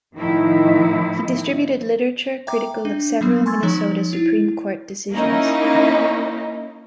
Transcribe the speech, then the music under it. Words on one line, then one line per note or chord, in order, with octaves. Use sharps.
He distributed literature critical of several Minnesota Supreme Court decisions.
A2 D#3 F3 D#4 E4
E5 G5 A#5 D6
D4
F#3 G3 B3
G#5 C6 C#6 E6 G#6 A6
F3 D#4 C#5
E4
A#3 C#4 D#4 E4